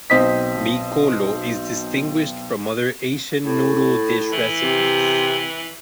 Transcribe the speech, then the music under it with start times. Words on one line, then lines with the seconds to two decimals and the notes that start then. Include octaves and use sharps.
Mee kolo is distinguished from other Asian noodle dish recipes.
0.10 B1 C4 C5 D#5 D#6 B6
3.45 A2
4.32 E3
4.62 C3